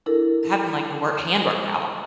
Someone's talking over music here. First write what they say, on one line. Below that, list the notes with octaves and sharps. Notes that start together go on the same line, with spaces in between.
having, like, a wor hand workout.
D4 E4 A4 A#4